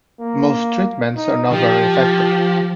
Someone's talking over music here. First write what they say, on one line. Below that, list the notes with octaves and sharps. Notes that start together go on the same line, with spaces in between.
Most treatments are not very effective.
A#3
D#4
F3 G4